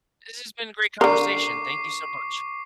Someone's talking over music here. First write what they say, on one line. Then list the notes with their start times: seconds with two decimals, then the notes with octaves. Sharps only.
This has been a great conversation. Thank you so much.
1.01 D3 A#4 C#6 D6 C7